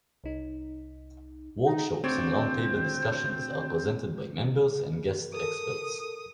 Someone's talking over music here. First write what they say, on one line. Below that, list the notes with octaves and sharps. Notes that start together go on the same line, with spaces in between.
Workshops and roundtable discussions are presented by members and guest experts.
C2 D#4
D#4
D2 C4 C#5 D5 G6
A4 A#4 D#6